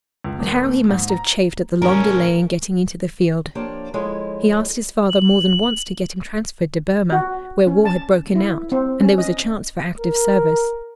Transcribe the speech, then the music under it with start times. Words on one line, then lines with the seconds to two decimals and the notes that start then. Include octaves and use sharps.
But how he must have chafed at the long delay in getting into the field. He asked his father more than once to get him transferred to Burma, where war had broken out and there was a chance for active service.
0.24 C#2
0.39 D#1
0.65 D#2
0.89 G#2
1.09 A#5
1.82 A2 C#3 C#4 A#4 A#5
3.55 F3 A#3 D4 G4 C#5
3.94 F3 G#3 E4 A4 C#5 D#5
5.10 F#7
7.12 F#4
7.67 C#4
7.85 A5
8.36 E4
8.72 C4
9.00 C#4
9.18 D#5
9.99 A#4